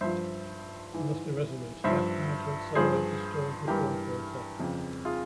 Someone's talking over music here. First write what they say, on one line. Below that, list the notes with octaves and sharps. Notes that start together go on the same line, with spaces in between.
We must be resolute and act now to accelerate the stalled reform process.
G2 F3 C5 E5
G#2 E3
G2 F3 C5 E5
G2 F3 G#4 C5
G2 E3 G4 A#4
F2 C#3 F3
F4 G#4